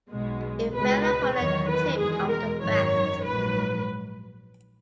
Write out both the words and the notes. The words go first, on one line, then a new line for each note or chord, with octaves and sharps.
It fell upon the tip of the bat.
B1 B2 G#3
C#2 B2 G#3 B4
B4
E2 D#3 F#3 C#5
B4
E2 B2 G#3 G#4
A#4
G#1 F#2 D#3 F#3 C#5
A#1 G#2 F#3 B4